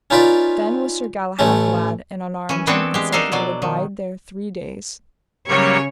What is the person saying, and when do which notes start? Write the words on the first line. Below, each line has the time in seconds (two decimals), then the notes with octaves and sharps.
Then was Sir Galahad glad, and unarmed him, and said he would abide there three days.
0.10 C#4 D#4 F4 B4 D5
1.39 A1 A3 C#4
2.49 E3 C#4
2.67 E3 B3 C4 D4 A4 C#5
2.94 G#3 G4
3.12 D4 D#4 A4 A#4 F5
3.32 B2 F#3 D5
3.62 D#3
5.48 C#3 F#3 G3 A#3 C#5